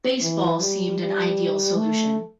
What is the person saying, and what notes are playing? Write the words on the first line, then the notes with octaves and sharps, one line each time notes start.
Baseball seemed an ideal solution.
E3
G3
G3
A3